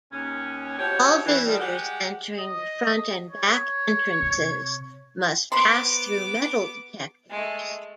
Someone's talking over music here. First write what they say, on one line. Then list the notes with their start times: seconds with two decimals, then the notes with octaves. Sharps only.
All visitors entering the front and back entrances must pass through metal detectors.
0.12 D#2 C#4
0.79 B2 F3 G4 C#5
1.26 E3
1.46 D#3 F3 G3
1.60 G#3 G4 F#5
2.38 D#5
3.30 C#5
4.22 C3
5.52 B3 C5 B5 C6 D6
7.30 G#3 A3